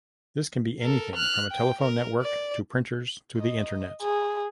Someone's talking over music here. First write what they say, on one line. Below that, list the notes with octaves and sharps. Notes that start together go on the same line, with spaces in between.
This can be anything from a telephone network, to printers, to the Internet.
A4 A#4
F6 F#6
G5
A#4
D5
D#5
G#4